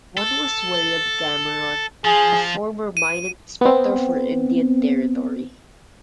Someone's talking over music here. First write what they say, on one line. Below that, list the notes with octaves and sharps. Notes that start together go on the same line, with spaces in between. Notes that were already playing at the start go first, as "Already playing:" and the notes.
One was William Cameron, a former Mine Inspector for Indian Territory.
A4
F3 G#4
D#7
B3 C4